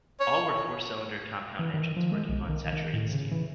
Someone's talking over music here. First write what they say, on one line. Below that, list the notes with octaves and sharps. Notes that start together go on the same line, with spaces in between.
All were four-cylinder compound engines working on saturated steam.
C#5
E3
D#3
F3
G#3
B1
D#3
D#3
A2
C#3
E3